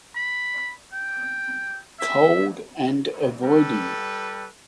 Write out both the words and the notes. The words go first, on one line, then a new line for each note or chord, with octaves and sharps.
Cold and avoiding.
B5
G5
E5
G3 A4 B4